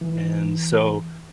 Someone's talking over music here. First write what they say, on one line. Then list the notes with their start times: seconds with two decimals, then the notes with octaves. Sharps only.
and so
0.01 E3